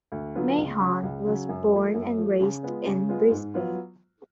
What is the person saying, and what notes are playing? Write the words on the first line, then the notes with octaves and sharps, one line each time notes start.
Mahon was born and raised in Brisbane.
D2
D3 F#3 B3 F4
C#2
C#3 F#3
C#2
C#3 F#3
F#2
F3 A3
F#2
F3 A3
C#3
G#3 B3 F4
C#3
G#3 B3 F4
G#2
F#3 B3 F4